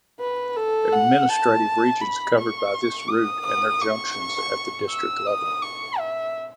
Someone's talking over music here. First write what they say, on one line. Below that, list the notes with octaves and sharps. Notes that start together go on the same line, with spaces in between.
Administrative regions covered by this route and their junctions at the district level.
B4
A4
F#5
A5
B5
C#6
D#6
D#6
C#6
E6
D#6
C#6
E5